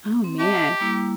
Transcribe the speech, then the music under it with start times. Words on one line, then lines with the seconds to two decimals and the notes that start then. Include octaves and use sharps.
Oh, man.
0.24 C4
0.39 G4 D#5 E5 A5
0.80 G3 A#3 E4